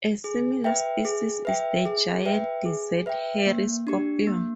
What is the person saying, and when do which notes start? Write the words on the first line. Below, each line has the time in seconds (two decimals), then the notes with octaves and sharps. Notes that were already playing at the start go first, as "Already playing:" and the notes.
A similar species is the giant desert hairy scorpion.
0.24 G#4
0.64 B4 E5 G5
1.05 G#4
1.45 B4 E5 G5
1.85 G#4
2.25 B4 E5 G5
2.65 G#4
3.06 B4 E5 G5
3.47 A#3
3.87 D4 G4
4.27 A#3